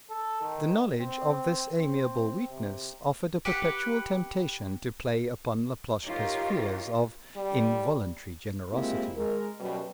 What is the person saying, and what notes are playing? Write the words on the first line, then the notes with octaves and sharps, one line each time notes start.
The knowledge of this amiable weakness offered a perpetual temptation to play upon Laploshka's fears of involuntary generosity.
A4
D#3
C4
C4
C3
G4 B4 F#5
D#4 F4 G4 A#4 C#5
G3
G#3 A#3 C4 E4 F4 G4
G#3 A#4
F#2 B2 G3